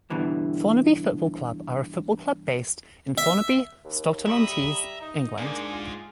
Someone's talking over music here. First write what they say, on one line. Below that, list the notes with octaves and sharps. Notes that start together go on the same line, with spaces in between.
Thornaby Football Club are a football club based in Thornaby, Stockton-On-Tees, England.
G2 B2 D3 E3
E5
D#2
G3 E5 A#5 B5 D#6
D#4 D#5
G#2 A#3 D4 G#4
F4